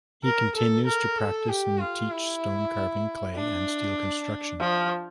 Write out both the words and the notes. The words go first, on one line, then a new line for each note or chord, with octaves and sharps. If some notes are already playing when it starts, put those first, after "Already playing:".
He continues to practice and teach stone carving, clay, and steel construction.
A#4
A4
A#4
A4
G4
F4
E4
D4
F3